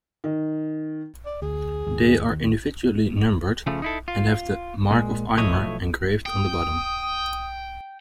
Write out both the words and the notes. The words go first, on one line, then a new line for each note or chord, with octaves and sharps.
They are individually numbered and have the "mark of Imar" engraved on the bottom.
D#3
D5
D2 G#4
D#2 G#2
D#2
C#3 F3 A3
D#4 E4 A4
F4
A#2 G#3
B1 F3 A3 E4 C#5 D#5
G5 D#6